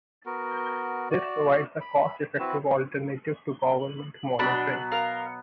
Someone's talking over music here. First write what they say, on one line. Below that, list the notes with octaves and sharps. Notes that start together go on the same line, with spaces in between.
This provides a cost-effective alternative to government monitoring.
B3 F#4 A#4
F#4 D5
B5
C4 E4 F#4 B4
B2 F#3 B3 D4 B5 F#6
A#4 F5